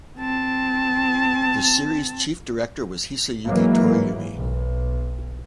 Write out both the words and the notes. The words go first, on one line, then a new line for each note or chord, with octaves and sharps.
The series chief director was Hisayuki Toriumi.
C4 A5
G#2 E3 F#3 A#3
B1